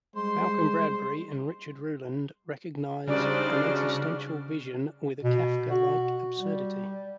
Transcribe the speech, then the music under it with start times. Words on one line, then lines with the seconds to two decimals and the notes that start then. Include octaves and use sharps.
Malcolm Bradbury and Richard Ruland recognize an existential vision with a "Kafka-like absurdity".
0.15 G3 G#3 C5 C6
3.07 C#3 G3 D4 D#4 F#4 C5 D5 F6
5.23 B2
5.71 F#4
6.39 G3